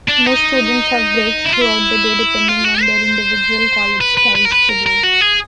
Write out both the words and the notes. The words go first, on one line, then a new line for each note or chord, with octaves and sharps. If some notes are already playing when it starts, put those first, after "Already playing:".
Most students have breaks throughout the day depending on their individual, college-style schedule.
D4
D#4
E4
F4
E4
F4
F#4
C5
B4
B4
B4
A#4
B4
A#4
A#4
F#4
G#4